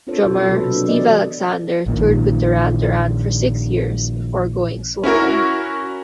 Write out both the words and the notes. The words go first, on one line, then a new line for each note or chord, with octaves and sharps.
Drummer Steve Alexander toured with Duran Duran for six years, before going solo.
C4 D4 F4 A4 C5 C#5
B2 F#3 F#4
C3 G#3 F#4 A4 B4
F#3 A#3 D4
E3 B3 C4 A4 D5 D#5
A#1 A#2 D#3
C#4 E4 F#4 A#4